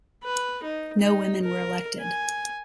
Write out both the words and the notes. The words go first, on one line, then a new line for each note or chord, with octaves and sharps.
No women were elected.
B4
D#4
D#4
A#4
G#5